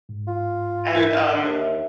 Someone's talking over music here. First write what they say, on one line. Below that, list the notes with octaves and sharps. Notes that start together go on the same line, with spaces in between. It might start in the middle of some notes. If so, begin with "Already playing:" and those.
And, um,
G#2
F4
A#4 E5
F6
D#2 E5